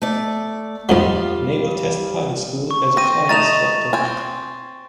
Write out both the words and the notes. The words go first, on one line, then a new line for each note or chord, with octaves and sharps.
Naval Test Pilot School as a flight instructor.
A3 D5
F2 G#2 F#3 G3 F4
C#6
C4 A#6 D#7
A3 D#4 D#5 A6 E7 F7
C4 G#5